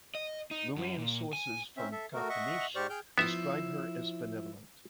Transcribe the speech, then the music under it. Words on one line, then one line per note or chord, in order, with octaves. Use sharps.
Luwian sources from Carchemish describe her as benevolent.
D#5
D#4
F#2
A#2
G#5
C4 C#4 E5
A4 E5
A3 F#4 A#4
D#5 E5 F#5 C#6
G#2 G4 C5 D5 C#6 F6
G#4 G5 F6 G6
F3 B3 E4 E5